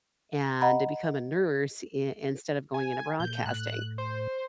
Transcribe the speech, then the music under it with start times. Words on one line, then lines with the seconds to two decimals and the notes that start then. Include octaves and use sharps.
and to become a nurse i instead of going into broadcasting,
0.61 D#5 F#5 A#5 B5
2.74 G#5
3.20 A#2 G6
3.46 A2 F#6
3.98 C5